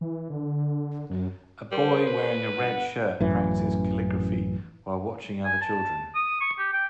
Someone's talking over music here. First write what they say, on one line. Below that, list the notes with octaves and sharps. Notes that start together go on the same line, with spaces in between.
A boy wearing a red shirt practicing calligraphy while being watched by other children.
E3
D3
F#2
G3 A#4 C5
B4
G1 F#5
A1 F#2 E3
G#5
A5
D#6
C#6
G4
G5